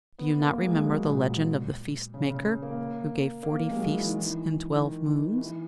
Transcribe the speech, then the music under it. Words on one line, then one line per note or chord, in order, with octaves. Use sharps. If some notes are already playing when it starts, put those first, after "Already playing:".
Do you not remember the 'Legend of the Feast-Maker,' who gave forty feasts in twelve moons?
B3
A#3
G#3
F#3
A#2
C#3
C#3
A#3
A#3
A#3
G#3
F#3
E3
D#3
E3
D#3
D#3
D#3
E3